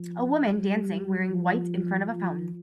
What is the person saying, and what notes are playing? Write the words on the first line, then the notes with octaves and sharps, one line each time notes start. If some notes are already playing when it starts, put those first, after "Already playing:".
A woman dancing wearing white in front of a fountain.
Already playing: F3
G3
F3
F3